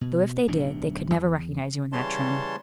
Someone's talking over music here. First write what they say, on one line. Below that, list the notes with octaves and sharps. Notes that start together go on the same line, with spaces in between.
Though if they did, they could never recognize you in that trim.
B2
D1 B1 C3 D4
E2
C#3 E3 G3 C#5 A5 C6